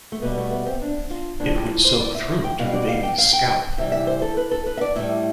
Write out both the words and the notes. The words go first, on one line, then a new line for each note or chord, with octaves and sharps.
It would soak through to the baby’s scalp.
A3
B2 G3 B3
A3
B3
C4
D4
F4
A2 F3 D4
G4
C5
D5
E5
G5
B2 G3 F5
D5
F5
G5
F5
G5
G5
C3 E3 G3 E5
E5
C5
A4
B4
A4
B4
E5
D5
A2 G3 E5